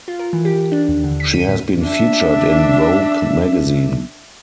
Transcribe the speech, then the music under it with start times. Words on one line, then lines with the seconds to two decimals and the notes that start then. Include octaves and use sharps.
She has been featured in Vogue Magazine.
0.08 F4
0.19 A#4
0.33 E3
0.45 G4
0.72 D4
0.89 D#2
1.04 D3
1.20 B6
1.33 D#7
1.47 A2
1.82 D4 E5